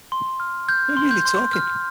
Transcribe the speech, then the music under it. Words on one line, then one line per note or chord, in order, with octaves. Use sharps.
We were merely talking.
C6
F6
F6 G6
C6
G6
C6
F6